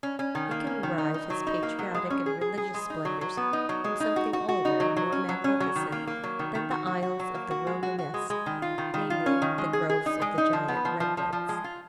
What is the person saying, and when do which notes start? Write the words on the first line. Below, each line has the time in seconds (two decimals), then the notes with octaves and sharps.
He can derive his Patriotic and Religious Splendors from something older and more magnificent than the aisles of the Romanesque, namely: the groves of the giant redwoods.
0.03 C#4
0.19 C#4
0.35 D#3
0.51 A#3
0.67 C#4
0.83 D#3
0.98 D#4
1.14 D#4
1.30 F#3
1.47 D#4
1.63 A#3
1.79 F#3
1.94 G#3
2.10 C#4
2.26 G#4
2.41 G#4
2.57 G#4
2.74 G#3
2.90 D#4
3.05 F#3
3.21 F#3
3.37 B3
3.53 D#4
3.69 F#3
3.84 G#3
4.00 D#4
4.16 F#4
4.33 F#4
4.49 F#4
4.65 D#4
4.80 F#3
4.96 F#3
5.12 C#4
5.29 F#3
5.44 C#4
5.60 F#3
5.76 D#3
5.92 A#3
6.07 A#3
6.24 F#3
6.39 D#3
6.55 D#3
6.71 F#4
6.87 F#4
7.02 F#4
7.20 F#3
7.35 A#3
7.51 F#4
7.67 G#3
7.83 F#4
7.98 F#4
8.14 G#3
8.30 G#3
8.46 D#3
8.62 F4
8.78 D#3
8.94 D#3
9.10 F4
9.26 C#4
9.42 D#3
9.58 G#3
9.73 G#4
9.89 G#4
10.06 D#4
10.22 G#3
10.38 D#4
10.53 F3
10.68 B3
10.85 F3
11.00 F3
11.17 F3
11.33 F3
11.49 G#3
11.64 F4